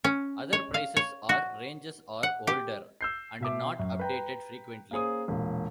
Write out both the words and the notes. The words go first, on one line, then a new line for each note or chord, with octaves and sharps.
Other prices are ranges or older and not updated frequently.
C#4
C#5
F5
C#5
F#4
F#5
G4
E6 G6 C7
B2 E5 D6
F#2
B4 G5 A#5
A#3 C#4 G#4 C5 D#6
E1 A#2